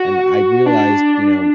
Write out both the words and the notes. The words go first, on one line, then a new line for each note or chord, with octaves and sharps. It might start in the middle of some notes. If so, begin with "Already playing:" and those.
and I realized, you know,
Already playing: F#4
D4